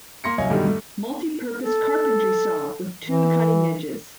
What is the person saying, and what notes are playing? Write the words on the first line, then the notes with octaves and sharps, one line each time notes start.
Multi-purpose carpentry saw with two cutting edges.
A#3 C6 A#6 C#7
C2 F#2 C#5 D#5 F5 G#5
G2 B2 D3 D#3 G3
G2 A3
A4
E3